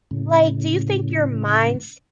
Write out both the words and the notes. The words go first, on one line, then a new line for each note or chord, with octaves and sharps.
Like, do you think your minds
A2 C#3